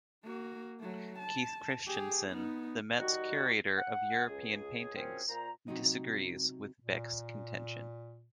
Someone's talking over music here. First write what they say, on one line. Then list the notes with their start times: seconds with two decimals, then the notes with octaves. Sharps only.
Keith Christiansen, the Met's curator of European paintings, disagrees with Beck's contention.
0.24 A#3 F#4
0.80 F#3 A3
1.19 A5
1.87 G4 G#4
2.29 B3 D#4
2.99 D#3 G3 D#4 F#4
3.78 F#5
4.27 C#2 G#4
4.96 F#2 F3 C4 C#4 G#4 A#4
5.29 A#2 C5 A#5
5.68 C3 F#3 D#4
6.84 A#2